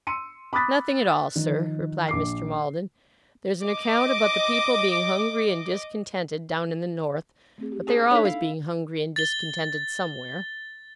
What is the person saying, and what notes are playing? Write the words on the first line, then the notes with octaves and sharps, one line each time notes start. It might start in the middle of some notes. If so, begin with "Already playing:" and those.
'Nothing at all, sir,' replied Mr. Maldon. 'There's an account about the people being hungry and discontented down in the North, but they are always being hungry and discontented somewhere.'
C6 E6 C#7 D#7
B5 D6 D#6 F#6 A6 B6
D#3 F3
A#1 D6 C7
D#5 D6
A3 C4 G#4
G4
D4 G#4 C5
D4 D#4 A4 B4 C#5
E4 F5
A6 G7